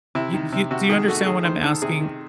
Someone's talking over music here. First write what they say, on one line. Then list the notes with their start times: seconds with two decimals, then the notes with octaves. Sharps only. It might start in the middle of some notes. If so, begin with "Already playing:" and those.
You do you do you understand what I'm asking?
0.15 C3 E4
0.34 D#3
0.53 C3
0.71 C3 F#4
0.89 D#3 G#4
1.08 A3 F#4
1.27 D#3 G#4
1.45 D#3 C5
1.63 D#3 A4
1.82 C3 G#4
2.01 D#3